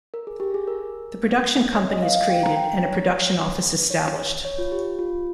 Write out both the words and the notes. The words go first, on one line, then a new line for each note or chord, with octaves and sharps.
The production company is created and a production office established.
A#4
G#4
G4
G#4
A#4
C#5
D#5
F5
F5
G5
A#5
G5
C#5
C#5
C#5
F4
G4
F4